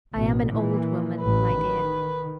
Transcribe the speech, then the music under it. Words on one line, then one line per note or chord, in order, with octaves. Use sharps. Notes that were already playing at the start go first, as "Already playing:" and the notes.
I am an old woman, my dear.
A1 B2
A#2 E3
A1 A2 B4
D#3